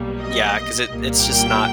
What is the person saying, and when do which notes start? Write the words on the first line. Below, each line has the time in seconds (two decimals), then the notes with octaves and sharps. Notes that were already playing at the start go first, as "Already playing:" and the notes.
Yeah, 'cause it it's just not
Already playing: B1 B2 G3 A#3
0.21 D#5
0.88 C2 A#2 G3 A#3
1.21 G5